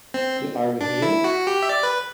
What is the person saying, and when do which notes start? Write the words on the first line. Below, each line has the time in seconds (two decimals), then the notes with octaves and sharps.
The Are We Here?
0.14 C4
0.81 D4
1.02 E4
1.24 F#4
1.47 G4
1.62 E5
1.69 D5
1.83 B4